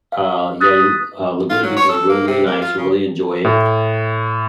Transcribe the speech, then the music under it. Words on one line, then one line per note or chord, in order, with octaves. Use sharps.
uh, yeah, y uh, Laguna Beach is really, really nice, really enjoy it,
F5
D#6 F#6 A6 B6
F4
F#3
C#5
A4
A#3
C3
A#3
F4
C#3
A2